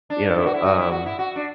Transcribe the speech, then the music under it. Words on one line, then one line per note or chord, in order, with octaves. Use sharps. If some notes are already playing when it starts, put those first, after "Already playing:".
you know, um
D4
E4
F#4
E4
F#4
E4
F#4
E4
F#4
D4